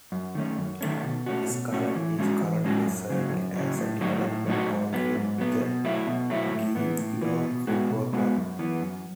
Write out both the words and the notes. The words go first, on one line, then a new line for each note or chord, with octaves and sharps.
Scarlett is currently serving as a development coach with the Geelong Football Club.
F#2
D#3 A3 C#4
F#2
D#3 A3 C#4
B2
A3 C#4 F#4
B2
A3 C#4 F#4
E3
G#3 C#4 F#4
E3
G#3 C#4 F#4
F#2
C#3 F#3
F#2
C#3 F#3
A2
F#3 A3 D#4 F#4
A2
F#3 A3 D#4 F#4
G#2
F#3 B3
G#2
F#3 B3
B2
F#3 A3 E4
B2
F#3 A3 E4
A2
E3 B3
A2
E3 B3
B2
G#3 B3 F#4
B2
G#3 B3 F#4
F#2
E3 B3
F#2